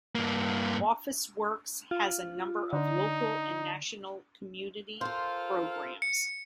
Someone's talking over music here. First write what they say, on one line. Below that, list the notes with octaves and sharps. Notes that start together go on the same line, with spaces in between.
Officeworks has a number of local and national community programs.
G2 A#3
F4
D3 D#4
F4 A4 A#4 C5 F5
C#7